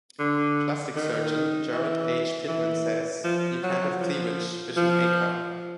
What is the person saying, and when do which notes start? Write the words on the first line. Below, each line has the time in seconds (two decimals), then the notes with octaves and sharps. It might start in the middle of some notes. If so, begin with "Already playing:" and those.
Plastic surgeon Gerard H. Pitman says, you can't have cleavage with an A cup.
0.19 D3
0.96 D#3
1.72 E3
2.48 E3
3.24 F3
3.63 F#3
4.00 F3
4.76 F3